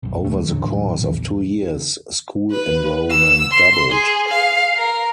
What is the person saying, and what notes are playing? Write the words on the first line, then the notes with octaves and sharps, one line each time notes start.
Over the course of two years, school enrollment doubled.
B1 F#2
D#2 A3
D#1 A1 D3 F#3
A#1 E2
B4
E6
C6
G#4
F5
A#4